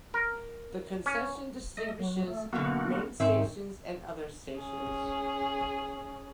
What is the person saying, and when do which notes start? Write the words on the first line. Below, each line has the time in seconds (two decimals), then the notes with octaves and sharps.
The concession distinguishes main stations and other stations.
0.14 A#4
1.06 C#4
1.77 A3 D#5
1.99 F#3
2.28 A3
2.53 F#2 B2 D3 A#3 B3 F#4
3.20 G#2 D#3 C4 C#4 E5
4.55 C#4 G#4